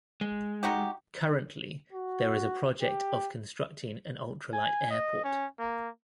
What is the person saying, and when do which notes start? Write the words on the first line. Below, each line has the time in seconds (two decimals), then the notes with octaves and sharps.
Currently there is a project of constructing an ultralight airport.
0.21 G#3
0.63 D#4 F#4 G4
1.93 F#4
2.82 G4
4.53 G#5
4.91 D#5
5.24 C#4
5.59 A#3